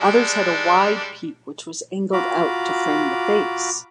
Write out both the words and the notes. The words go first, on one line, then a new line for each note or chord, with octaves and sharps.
Others had a wide peak which was angled out to frame the face.
G3 G#3 D4
F4 F#4 A#5 B5 D6